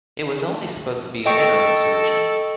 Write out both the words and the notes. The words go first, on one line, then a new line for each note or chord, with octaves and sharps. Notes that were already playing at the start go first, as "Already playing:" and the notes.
It was only supposed to be an interim solution.
A4 D#5 G5 C#6